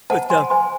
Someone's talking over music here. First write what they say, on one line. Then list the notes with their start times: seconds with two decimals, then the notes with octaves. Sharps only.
But, um
0.10 C5 F#5 A5
0.30 G#5 C6
0.50 C5 G#5 C6